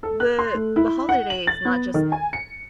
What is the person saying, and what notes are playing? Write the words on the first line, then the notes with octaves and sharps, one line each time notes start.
the the holiday is not just
A4
F#6
C6
A3
E4
F#5
F#7
A6
B3
D#3
G#5
C#7